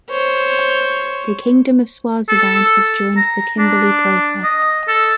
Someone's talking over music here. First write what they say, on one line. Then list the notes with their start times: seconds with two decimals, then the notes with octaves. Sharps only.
The Kingdom of Swaziland has joined the Kimberley Process.
0.10 C5 C#5
2.28 A4
3.17 A#5
3.58 D4
4.43 D#5
4.88 A4